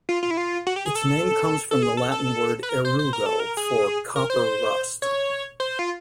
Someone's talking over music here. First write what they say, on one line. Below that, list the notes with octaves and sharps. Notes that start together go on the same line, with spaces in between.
Its name comes from the Latin word "aerugo" for "copper rust".
F4
F4
E4
F4
F#4
G4
G#4
A4
A4
G#4
A4
A4
B4
A#4
C5
C5
A#4
A4
A#4
G#4
A#4
C5
C#5
C5
F4